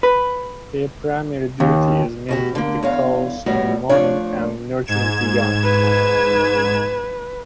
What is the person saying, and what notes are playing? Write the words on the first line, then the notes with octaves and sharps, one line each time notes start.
Their primary duty is milking the cows in the morning and nurturing the young.
B4
D#2
B2 F#4 G4
D3 A#3
E2 C#5 F5
F2 A2 G3 B3 F#4 C#5
F3 A3 D4 C#5
G#2 G#6 E7
B4